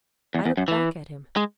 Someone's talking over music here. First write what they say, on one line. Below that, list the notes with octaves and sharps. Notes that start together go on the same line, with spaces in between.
I looked back at him.
E2
E2
F#2
E3
G#3